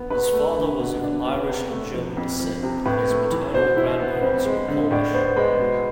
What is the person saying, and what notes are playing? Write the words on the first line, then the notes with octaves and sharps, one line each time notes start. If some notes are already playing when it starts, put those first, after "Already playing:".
His father was of Irish and German descent, and his maternal grandparents were Polish.
Already playing: B3
E2 B4
A3
D3
B2
D4
B3
C3
A3
F3
F2
F3
C3
A2 B4
A3
E3
B2 C5
E4
B3
F2 C5
G#3
D3
A2 D5
B3 C5
G#3 B4
B2